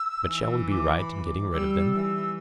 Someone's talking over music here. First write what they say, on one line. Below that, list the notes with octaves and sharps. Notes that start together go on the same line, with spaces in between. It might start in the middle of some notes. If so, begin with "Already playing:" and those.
But shall we be right in getting rid of them?
Already playing: E6
E3
D6
B5
D6
G3 E6
E3 E6